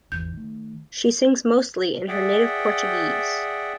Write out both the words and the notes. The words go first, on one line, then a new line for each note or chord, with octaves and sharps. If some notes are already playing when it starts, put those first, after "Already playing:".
She sings mostly in her native Portuguese.
G#1 E2 E3 G6
D#3 A3
G#4 D5 E5 F#5 G5